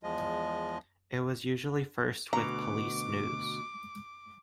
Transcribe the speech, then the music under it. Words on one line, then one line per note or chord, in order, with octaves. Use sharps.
It was usually first with police news.
E2 F3 G#3 D#5
D2 B2 A#5 D6